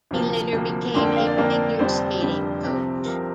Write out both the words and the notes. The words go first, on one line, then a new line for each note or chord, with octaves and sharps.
He later became a figure skating coach.
D2 C3 F3 A#3
D2 C3 F3 A#3
F2 D3 A#3 D4 C6
G5
F5
D5
F2 D3 A#3 D4 A#4
F1 F2 D3 G3 D4 C5
F1 F2 D3 G3 D4 G4
C2 C3 F3 C4 G4
G4
C2 C3 F3 C4 A#4